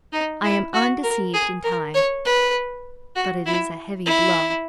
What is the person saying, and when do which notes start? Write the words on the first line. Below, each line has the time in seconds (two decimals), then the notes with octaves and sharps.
I am undeceived in time! But it is a heavy blow!
0.13 D#4
0.43 E4
0.74 F#4
1.03 A#4
1.33 G#4
1.64 A#4
1.94 C#5
2.25 B4
3.16 F#4
3.46 E4
4.06 E4